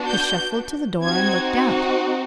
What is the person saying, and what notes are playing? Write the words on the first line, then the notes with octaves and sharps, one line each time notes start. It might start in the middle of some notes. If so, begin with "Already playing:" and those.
He shuffled to the door and looked out.
Already playing: B3 D4 F#4
G6
C4 D#4 F#4 G#6